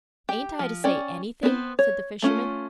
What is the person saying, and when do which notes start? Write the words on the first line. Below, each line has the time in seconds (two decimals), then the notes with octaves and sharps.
"Ain't I to say anything?" said the fisherman.
0.29 G4 G5
0.59 F3
0.84 C#4 D5 G5
1.43 B3 C4 A#4 C5
1.79 C#5
2.22 A3 C#4 F4